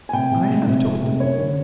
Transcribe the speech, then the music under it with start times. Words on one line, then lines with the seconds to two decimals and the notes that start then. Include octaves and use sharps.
"I have told them."
0.09 G#5
0.13 C3 G5
0.31 C3
0.49 G#3
0.67 C3
0.84 F2
1.03 C3
1.20 F#2 C#5
1.38 D3